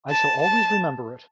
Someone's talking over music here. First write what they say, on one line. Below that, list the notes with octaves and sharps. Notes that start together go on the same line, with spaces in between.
I shall always remember it.
A5
A5